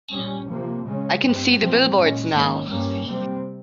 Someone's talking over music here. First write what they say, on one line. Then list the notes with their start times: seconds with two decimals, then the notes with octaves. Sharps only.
I can see the billboards now.
0.11 A#2 G3 C#4
0.48 C3 F3 A#3
0.84 C#3 G#3 C#4
1.21 G2 G3 C4
1.58 A#2 F3 C4
1.95 A#2 G#3 C#4
2.32 G#2 D#3 A#3 C#4
2.68 G2 G3 A#3 C#4
3.05 C3 G3 C4